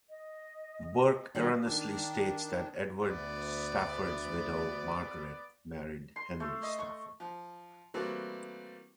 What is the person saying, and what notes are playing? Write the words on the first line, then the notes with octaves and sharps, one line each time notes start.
Burke erroneously states that Edward Stafford's widow, Margaret, married Henry Stafford.
D#5
B2 D#3 G3 D5
D#3 D4
D2 B3 D5
C6
A3
D#5
C#6
F3
E3 G3 A3 A#3 C4 F#4